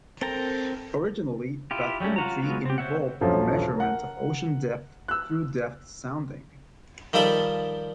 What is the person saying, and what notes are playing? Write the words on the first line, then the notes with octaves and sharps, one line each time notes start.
Originally, bathymetry involved the measurement of ocean depth through depth sounding.
C4 A4 A#4 G5 A#5
E4 F4 G4
F#3 G3 A3 C#4
F4 F#4 A#5
F#3 G#3 B3 F4 F#4
C4 G4
C5 C#5 E5 F#5
D#1 A#1 F3 F#3 C#4 A4
A#4 F#5
E6 F#6
D#3 F3 G3 A4 B5